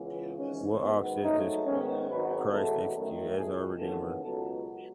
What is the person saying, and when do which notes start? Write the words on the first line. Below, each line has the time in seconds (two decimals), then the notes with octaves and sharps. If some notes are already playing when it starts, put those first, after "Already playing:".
What offices does Christ execute as our Redeemer?
Already playing: C#2 C#3 E3 B3
0.36 G#1 G#2 E3 C#4
0.78 G#2 D#3 F#3 B3
1.22 G#2 F#3 A3 D#4
1.64 G#2 D#3 G#3 B3 C#4
2.08 G#1 G#2 F#3 B3 B4
2.51 E2 B2 F#3 A3 A4
2.94 F#2 D#3 A3
3.37 C#2 B2 A3 G#4
3.79 D#2 C#3 E3 B3 A4
4.23 C#2 B2 F#3 B3 A4